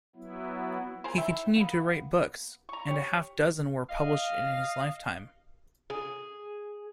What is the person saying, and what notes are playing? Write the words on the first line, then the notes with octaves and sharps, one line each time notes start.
He continued to write books, and a half dozen were published in his lifetime.
F#3 B3 E4
G#4 A#4 C5
D#4 E4 E5 G5
A#3 B3
A#5 C#6
G4 C#5
D#5 F5
G#4